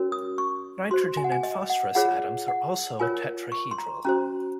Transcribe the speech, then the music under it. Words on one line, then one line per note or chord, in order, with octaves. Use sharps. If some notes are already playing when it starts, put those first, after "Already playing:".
Nitrogen and phosphorus atoms are also tetrahedral.
Already playing: C#4 F#4 A#4 C#5
D#6
C#6
F#4 C5 C6
G#5
F#5
G#5
D#5
F#5
F4 G#4 C#5 F#5
F#5
F4 A#4 C#5 G#5
C#6
C6
A#5
C#4 F#4 C5 A#5